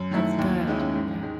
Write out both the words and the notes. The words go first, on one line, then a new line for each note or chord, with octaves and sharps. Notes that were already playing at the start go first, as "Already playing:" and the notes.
That's good, yeah.
Already playing: F#2
D#3 A3 E4
D#2
D#3 G#3 C#4 E4
G#2
D#3 G#3